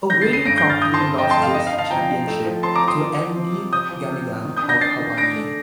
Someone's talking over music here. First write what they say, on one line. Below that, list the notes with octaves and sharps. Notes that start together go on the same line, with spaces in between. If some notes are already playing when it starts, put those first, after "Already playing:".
O'Grady promptly lost this "championship" to Andy Ganigan of Hawaii.
D3 G6 A#6
A6 C7
A3
C7 D#7
G2 A#6 D7
G6 A#6
G2
F6 A6
D3 D#6 G6
A5 C6
C4
F2 D#5 G5
A5 C6
A3
F5
D#4 D#5
F5
D#4
F5 A5
F3 G5 A#5
D#4
A3
F3
C4 A5 C6
A#5 D6
F3
C6 D#6
D#4
F3
C4
C3
C3 D#6 G6
F3
C3
C4
D#3
D#6 G6
D4
G6 A#6
D4 A6 C7
D#3
D4 A#6 D7
A3